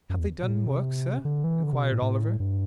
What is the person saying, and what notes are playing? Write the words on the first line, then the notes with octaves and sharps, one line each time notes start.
'Have they done work, sir?' inquired Oliver.
F#2
E2
B2
A2
C3
D3
E3
D3
C3
B2
A2
A2
G2